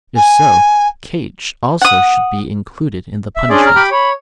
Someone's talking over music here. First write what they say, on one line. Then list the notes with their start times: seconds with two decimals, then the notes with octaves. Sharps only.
If so, Kate also should be included in the punishment.
0.16 G#5
1.81 F#5 D#6
3.36 E5
3.50 C#4 D4 G#4 D5 G#5 C6
3.64 A#5 F6
3.76 G4 G5 B5
3.91 C#5 B5